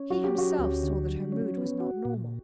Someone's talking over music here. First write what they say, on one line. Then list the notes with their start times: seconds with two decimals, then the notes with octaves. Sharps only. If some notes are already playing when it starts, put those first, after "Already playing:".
He himself saw that her mood was not normal.
Already playing: C#4
0.10 F#3 F#4
0.24 G4
0.35 C#4 F#4
0.59 D2
0.83 D3
1.08 F#3
1.32 C#4
1.57 B3
1.80 F#4
2.05 A#2